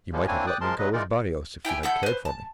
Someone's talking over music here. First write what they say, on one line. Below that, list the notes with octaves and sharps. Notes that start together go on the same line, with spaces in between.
You might have let me go with Barrios if you had cared for me.
F3 G3 G#3 A#3
A#3 C4 D4 E4 C#5 G#5
D5 G5 D6 D#6 F#6
F3 G#3 A#4 A5 C6
C#3 F#3 B4 D#5
E3 G#3 D#4 F4 A#4 D5
E4 G4 G5 G#5
E4 A4 F#5 G6
B4 C5
A5